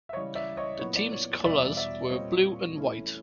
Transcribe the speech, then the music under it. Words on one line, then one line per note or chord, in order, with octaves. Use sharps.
The team's colours were blue and white.
E5
C#3 E3 G3 C#5 D#5
D5 E5
C#5 D#5
A#2 F#3 B3 E4 C#5
D5
C#5
E2 B2 G3 B3 D5 E5
D5 E5
A#2 G3 C4 F4 C#5 D#5
E3 A3 C#4 E4